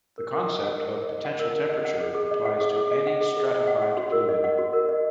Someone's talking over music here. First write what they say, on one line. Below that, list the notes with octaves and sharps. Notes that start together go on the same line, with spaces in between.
The concept of potential temperature applies to any stratified fluid.
A#4
A#4
D#5
F#5
A#4
A#4
D#5
F#5
A#4
A#4
D#5
F#5
G#4
G#4
D#5
F#5
G#4
G#4
D#5
F#5
G#4
G#4
D#5
F#5
F#5
F#4
A#4
D#5
F#5
F#4
A#4
D#5